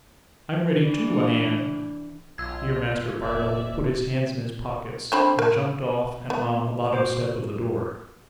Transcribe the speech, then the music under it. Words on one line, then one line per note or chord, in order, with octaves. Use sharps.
I'm ready too, I am.' Here Master Bardell put his hands in his pockets, and jumped off and on the bottom step of the door.
E3 D4
B1 F4 E6 G#6
F1 A#2 D5 E5
D3 C4 B5
A#4
B3
F#4 C5 D6